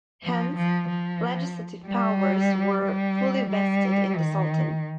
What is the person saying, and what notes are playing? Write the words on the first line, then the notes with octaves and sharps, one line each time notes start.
Hence, legislative powers were fully vested in the Sultan.
F3
F3
F3
G3
G3
G3
D#3